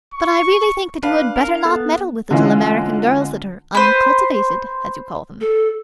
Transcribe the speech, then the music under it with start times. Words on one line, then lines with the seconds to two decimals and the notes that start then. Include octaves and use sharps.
But I really think that you had better not meddle with little American girls that are uncultivated, as you call them.
0.14 C#6
1.03 D4 B4 F5
1.36 A#4
1.65 B3 A4 A5
2.31 D3 E3 G#3 C#4 F4
3.75 B4 C5
5.41 A4